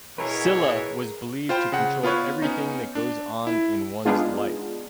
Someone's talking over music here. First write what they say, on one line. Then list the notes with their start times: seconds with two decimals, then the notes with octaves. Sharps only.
Silla was believed to control everything that goes on in one's life.
0.18 B2 E3 G#4 A#4 B4 C#5
1.49 F4 C5 G5 B5
1.72 C#3 F#5
2.03 B3 F4 B4 C#5
2.42 B3 C#4 D#4
2.95 D4
3.47 E4
4.05 G#3 B3 D4 D#4 F4 G#4